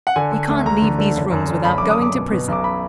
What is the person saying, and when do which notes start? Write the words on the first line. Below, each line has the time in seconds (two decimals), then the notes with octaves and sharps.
You can't leave these rooms without going to prison.
0.07 F#5
0.16 D3 G#5
0.32 D3
0.49 D2
0.65 D2 A#5
0.82 D3
0.98 D3
1.16 F#1
1.31 F#2
1.48 D3
1.65 F#1 B5
1.78 F#1 D6
1.90 D#6
1.98 F#2 D6
2.14 B2
2.32 B2
2.48 B1 D6
2.64 B5